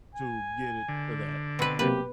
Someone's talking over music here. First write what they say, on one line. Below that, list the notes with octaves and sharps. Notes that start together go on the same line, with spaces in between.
to get it to that,
G#5
D3
B2 C4 B4
C3 F#3 A#3 G4 B4